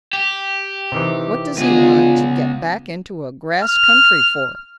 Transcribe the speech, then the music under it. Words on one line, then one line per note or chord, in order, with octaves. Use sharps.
What does he want to get back into a grass country for?
G4 G5
C3 D#3 E3
C#2 D3 G#3 B3 F4 G#4 F#5
F6